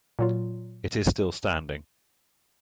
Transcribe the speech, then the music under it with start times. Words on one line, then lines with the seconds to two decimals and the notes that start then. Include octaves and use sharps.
It is still standing.
0.19 A#2 F#3 F4